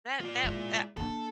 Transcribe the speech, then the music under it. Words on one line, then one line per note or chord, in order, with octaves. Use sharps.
That that that
F4 D5
G#3 E4
A#3 D4 A4